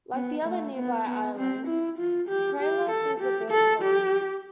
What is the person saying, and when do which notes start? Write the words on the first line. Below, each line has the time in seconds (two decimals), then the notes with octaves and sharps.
Like the other nearby islands, Craigleith is a bird colony.
0.14 B3
0.45 A3
0.76 B3
1.06 B3
1.38 C4
1.67 E4
1.98 F4
2.28 G4
2.60 G4
2.90 A4
3.20 G4
3.51 A4
3.82 G4